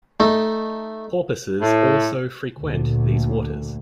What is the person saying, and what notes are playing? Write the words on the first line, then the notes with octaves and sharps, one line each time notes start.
Porpoises also frequent these waters.
A3 D#4
A2
D2 A#2